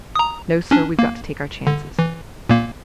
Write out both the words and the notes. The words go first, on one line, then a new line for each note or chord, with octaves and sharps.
No, sir--we've got to take our chances.
A#5 D#6
C#4 D4
A#3
D3
E3
A#2 A#3